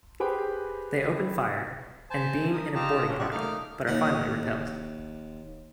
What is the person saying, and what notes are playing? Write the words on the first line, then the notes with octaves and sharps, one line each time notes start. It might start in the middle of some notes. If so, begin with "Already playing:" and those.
They open fire, and beam in a boarding party, but are finally repelled.
G4 G#4 B4 C5 G5
C5 G#5 A5
A#4 D#6
D#4 F4 G4 A5 A#5
C#4 D4 F4
B3 F4 G4 D5 C#6 F#6
A3 A#3 D#4 D6 F6
D#2 F#5